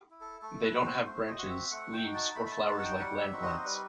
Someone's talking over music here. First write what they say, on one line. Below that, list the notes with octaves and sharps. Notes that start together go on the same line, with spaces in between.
They don't have branches, leaves or flowers like land plants.
E4
A4
A3 A4
B4
C4 F#4
C5
A3 C5
D#5
C4 F#4 F#5
E5
A3 F#5
G5
D#4 F#4
A5
A3 B5
B5
A5
D#4 F#4 A5
F#5
G5
G3 F#5
E5
C4 D#4 F#4
D#5
C5
G3 B4